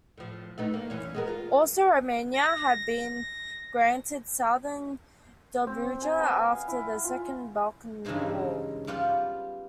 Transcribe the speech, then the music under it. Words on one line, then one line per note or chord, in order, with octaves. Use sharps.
Also Romania had been granted Southern Dobruja after the Second Balkan War.
A2 F3
A3 B3 D#4
A#3
F#2 E3 C#4
G#3 B3 A#4
F4
A#6
C4
G#5
B3
F5
E4
F4
G2 C#3 E3 G#3 D#4 C5
G3 B3 F4 G4 F5 F#5